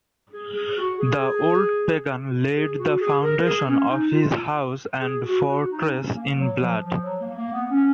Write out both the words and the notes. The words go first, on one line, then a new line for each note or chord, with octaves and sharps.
The old pagan laid the foundation of his house and fortress in blood.
G#4
G#4
F#4
G#4
G#4
F#4
G#4
A#4
G#4
C#4
D#4
F4
G#4
F#4
F#4
D#4
C#4
A#3
F#3
F3
F3
F#3
A#3
A#3
B3
C#4